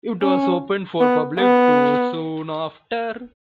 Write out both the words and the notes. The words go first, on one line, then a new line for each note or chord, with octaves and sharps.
It was opened for public tours soon after.
C#4
B3
B3